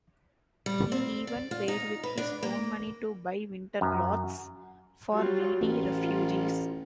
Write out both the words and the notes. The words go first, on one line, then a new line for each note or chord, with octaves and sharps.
He even paid with his own money to buy winter clothes for needy refugees.
G3
C4
D5
F4
D#4
B4
D4
A#3
F#2
F#3 G3 F4
A1 F4